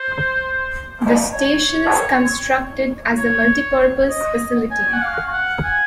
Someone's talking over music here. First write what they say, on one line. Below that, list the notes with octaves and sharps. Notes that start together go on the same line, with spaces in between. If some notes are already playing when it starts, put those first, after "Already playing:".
The station is constructed as a "Multi-Purpose Facility".
Already playing: C5
C#5
C#5
D#5
G#5
F#5
F5
F#5
G#5